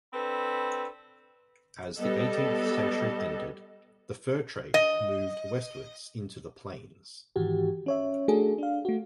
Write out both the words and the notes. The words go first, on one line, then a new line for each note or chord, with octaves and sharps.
As the eighteenth century ended, the fur trade moved westwards into the Plains.
C4 D4 A4 B4 B5
G3 B3 A4 D#5
D#5
G#2 D#3 E3 F#4 G4
C#4 C#5 E5
A3 D4 F#4 G#4 A4
D4 F5
A3 F#4